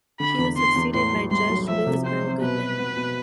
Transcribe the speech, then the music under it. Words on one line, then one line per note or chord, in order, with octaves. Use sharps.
He was succeeded by Judge Louis Earl Goodman.
D3 B5
E2
E2 C6
E2
A2 C6
B1
G3 C6
B1
F3 E5
C3
C4 C5
C4
B2 B4
B2
B3
B2